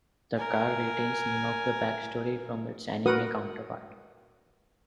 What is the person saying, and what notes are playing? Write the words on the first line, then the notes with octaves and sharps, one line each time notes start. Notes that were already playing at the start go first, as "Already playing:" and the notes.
The car retains none of the back story from its anime counterpart.
A#4 G#5
F#4 A#4 B4 F#5 D#6